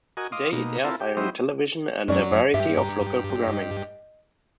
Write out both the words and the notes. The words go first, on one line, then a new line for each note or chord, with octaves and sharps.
Today it airs Ion Television and a variety of local programming.
F#4 A#4 D#5 G#5
D#5 F5 C6 D6 D#6
B2 A#3 D#4
C4 E4 F4 A4 A#4
G4
F#3 C4 E4 G4 C5 D#5
F#2 F#3 C#4 D5
G2 G4 E5
A#5
D#5